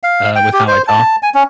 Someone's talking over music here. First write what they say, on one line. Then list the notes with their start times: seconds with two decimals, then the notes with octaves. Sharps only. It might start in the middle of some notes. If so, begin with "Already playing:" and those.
uh, with how I talk
0.03 F5
0.35 G5
0.53 G4
0.68 C5
0.88 A5
1.23 G#5
1.34 C#4